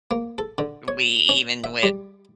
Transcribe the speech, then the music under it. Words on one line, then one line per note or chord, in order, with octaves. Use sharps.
we even with,
A#3
A4
D3
C#5
C#4
E5
G3